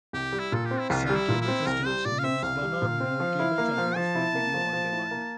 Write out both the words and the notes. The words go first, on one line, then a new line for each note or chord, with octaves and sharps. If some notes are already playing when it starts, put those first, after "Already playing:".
Some cable systems use one or more cable channels for video on demand.
C2 G4
G3
E4
A#2 A4
G4
C4
E4
C2 F4
G3 F4
E4
A#2
E4
C4
C2 A#4
G3 C5
A#2 D5
F5
C4 E5
C2 F5
G3
A#2
C4
F3
E4
A#3
F3
F3 A5
E4
A#3
F3
F3
E4
A#3